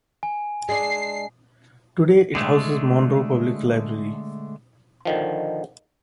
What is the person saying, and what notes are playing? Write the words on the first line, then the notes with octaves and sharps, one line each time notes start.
Today it houses Monroe Public Library.
G#5
G#3 D4 C7
D3 G#3 A3
D3 D#3 F3